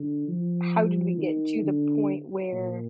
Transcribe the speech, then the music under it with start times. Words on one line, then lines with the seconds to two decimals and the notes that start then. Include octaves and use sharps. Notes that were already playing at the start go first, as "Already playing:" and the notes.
How did we get to the point where
Already playing: D3
0.28 F3
1.18 D#3
1.63 D3
2.52 A#2